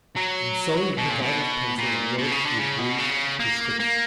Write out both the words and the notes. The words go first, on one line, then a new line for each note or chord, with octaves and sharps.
And so he took out his pencil and wrote a brief prescription.
F#3
B2
A#2
B2
A#2
B2
C#3
D3
C#3
B2
C#3
A#3
A#3